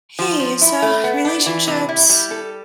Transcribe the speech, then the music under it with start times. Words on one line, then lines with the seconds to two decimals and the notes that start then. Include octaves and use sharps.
Hey, uh, so relationships
0.19 F3
0.40 F3
0.61 E4
0.82 A3
1.04 B3
1.25 D4
1.46 E3
1.67 C3
1.89 E4
2.09 G3
2.31 A4